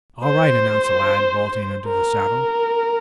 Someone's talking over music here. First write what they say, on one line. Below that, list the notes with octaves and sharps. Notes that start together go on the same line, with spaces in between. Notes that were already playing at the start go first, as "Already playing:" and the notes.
"All right," announced the lad, vaulting into the saddle.
C5
A#4